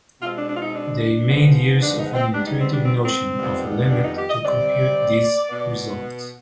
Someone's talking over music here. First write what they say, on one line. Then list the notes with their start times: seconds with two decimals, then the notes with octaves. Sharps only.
They made use of an intuitive notion of a limit to compute these results.
0.21 B2 G#3 C4 F4
0.35 D4
0.48 D4
0.55 F4
0.61 D#4
0.73 D4
1.26 G#2 F3 G#3 B3
1.79 D4
1.97 D#4
2.14 C4
2.32 G#2 G3 B3 D4
2.46 D#4
2.58 C4
2.72 D4
2.84 C4
3.02 C4
3.38 F2 D#3 G3 B3
3.90 D4
4.03 D#4
4.16 G4
4.29 D#5
4.43 C3 G3 C4 D5
5.48 B2 B3